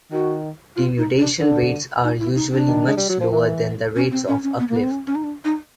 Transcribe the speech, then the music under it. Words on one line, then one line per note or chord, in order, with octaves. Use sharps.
Denudation rates are usually much lower than the rates of uplift.
D#3 F#4
F4
D#4
D4
D3 D4
D#4
E4
D#4
D4
D#3
G#3
G3
F#3
F3
E3
C#4
C4
C#4
C#4
B3
A#3
B3
C4
C#4
C#4
D#4
D4
D#4